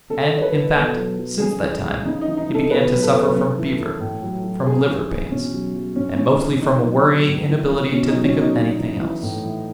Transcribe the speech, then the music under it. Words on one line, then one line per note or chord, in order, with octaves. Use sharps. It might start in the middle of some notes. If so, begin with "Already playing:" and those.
And, in fact, since that time he began to suffer from fever, from liver pains, and mostly from a worrying inability to think of anything else.
C#3 A4
E3 C#5
B4
E3
B2 A4
F#3
F#3
C#3 G#4
E3
E3
C#3 D#4
D#4
E3
D#4
E3
A4
B2 B4
F#3
A4
F#3
C#3
E3
E3
A2
F#3
F#3
C#3 G#4
E3
E3
B2 C#4
F#3
F#3
A2 C#4
E3 C#4
E3
B2 D#4
F#3
F#3
A2
E3
E3
B2 C#4
D#4
F#3
C#4
F#3 D#4
C#3
E3
E3
A2
E3